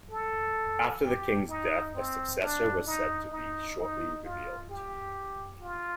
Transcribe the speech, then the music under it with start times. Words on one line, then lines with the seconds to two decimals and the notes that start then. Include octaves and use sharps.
After the king's death, a successor was said to be shortly revealed.
0.11 A4
1.03 G4
1.49 D#4
1.95 C4
2.40 D4
2.86 D#4
3.32 D#4
3.78 D#4
4.24 F4
4.70 G4
5.62 F4